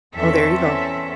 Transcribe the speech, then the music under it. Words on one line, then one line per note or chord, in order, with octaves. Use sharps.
Oh, there you go.
E2 C4 C#4 A4 E5